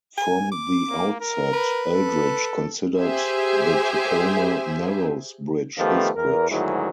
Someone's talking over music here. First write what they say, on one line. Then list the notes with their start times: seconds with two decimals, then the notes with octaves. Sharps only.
From the outset, Eldridge considered the Tacoma Narrows Bridge his bridge.
0.17 G#5
0.52 D6
0.90 A#3
1.20 A#4
1.53 B4
1.95 A4
3.01 G4 G#4 C5 E5 G#5
5.78 D#3 F3 A3 B3 F4 G4
6.16 E2 A#4
6.49 D2 G#2 D#3 F#3 E4 G#4